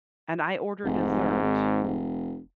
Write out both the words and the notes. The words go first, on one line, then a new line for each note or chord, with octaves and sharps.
and I order dessert
F1 G#2
G#1
F1